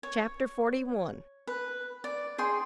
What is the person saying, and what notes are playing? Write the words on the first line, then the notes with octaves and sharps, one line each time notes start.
Chapter XLI.
C#5
B4
D5
G#4 G5 C6